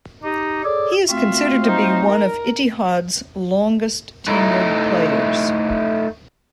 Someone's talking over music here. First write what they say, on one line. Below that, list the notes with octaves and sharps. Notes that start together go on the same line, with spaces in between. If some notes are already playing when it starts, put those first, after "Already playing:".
He is considered to be one of Ittihad's longest tenured players.
D#4 G4
G#4 A4 C#5 D5
A3 C4 F4 F#4 E5
D#4 C5
A#4
A3 D#4 E4